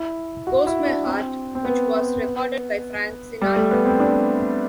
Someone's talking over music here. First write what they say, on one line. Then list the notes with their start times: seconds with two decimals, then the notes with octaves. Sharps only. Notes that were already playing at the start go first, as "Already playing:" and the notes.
Goes My Heart, which was recorded by Frank Sinatra.
Already playing: E4
0.47 F#4
0.67 E4
0.86 D4
1.06 C4
1.55 C4
1.65 B3
3.42 G3
3.56 A3
3.71 B3
3.85 C4
4.00 D4